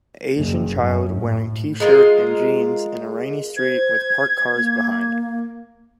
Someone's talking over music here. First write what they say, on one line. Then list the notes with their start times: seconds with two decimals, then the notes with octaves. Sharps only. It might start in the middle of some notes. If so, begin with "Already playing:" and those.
Asian child wearing tshirt and jeans in a rainy street with parked cars behind.
0.37 F#1
0.79 F#2
1.17 A2
1.80 G#3 F4 A#4
3.57 C5 G#6
4.54 A#3